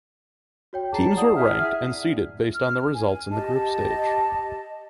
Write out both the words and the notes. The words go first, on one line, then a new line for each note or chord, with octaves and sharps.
Teams were ranked and seeded based on their results in the group stage.
F#4 C#5 G5
G#4 A5 A#5 C7
E4 D5 F#5 D#6
G#4 E5 F6
F6
G#5
G4 D#5 A5